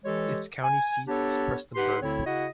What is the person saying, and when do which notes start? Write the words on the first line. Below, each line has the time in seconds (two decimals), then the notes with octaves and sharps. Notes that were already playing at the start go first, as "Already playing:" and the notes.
Its county seat is Prestonsburg.
0.05 E3 G#3 G4 A4 C#5
0.64 G#5
1.08 B3 D4 G4 A4 C#5
1.76 D#4 G4 B4 F#5 C6
2.01 D2 D3 C4 E4 C#5
2.25 C#3 E4 F#4 D#5 F#5